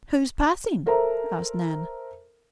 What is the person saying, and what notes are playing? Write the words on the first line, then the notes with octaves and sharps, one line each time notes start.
"Who is passing?" asked Nan.
A4 A#4 C5 E5 A#5